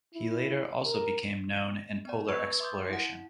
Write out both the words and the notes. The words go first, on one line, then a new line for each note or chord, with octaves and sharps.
He later also became known in Polar exploration.
E4
A#4
B3 D5
B4 A5 B5 C#6 E6 G#6
E5 C6 D6 D#6 G6
E4 F#5